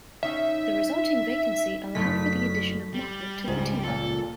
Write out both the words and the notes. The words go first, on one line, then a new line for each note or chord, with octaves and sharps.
The resulting vacancy allowed for the addition of Moffitt to the team.
C#4 D#4 E5
F#1 A3 B6
G3
C#2 G#2
F2 A#2 A4